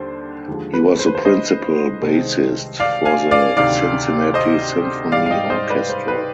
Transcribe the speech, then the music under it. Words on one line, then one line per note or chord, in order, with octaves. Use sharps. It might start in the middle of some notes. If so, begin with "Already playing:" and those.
He was the principal bassist for the Cincinnati Symphony Orchestra.
Already playing: D#2 D3 G3 C5
D#2 D3 F3 G#3
B4
C5
B4
C5
C5 D#5
C2 C3 D#3 G#3
D5 F5
F5 G#5
D5 F5
D2 C3 D#3 D5 F5
C5 D#5
G#2 G3 D5 F5
F5
D#5 G5
C5 D#5
B4 D5
C5
B4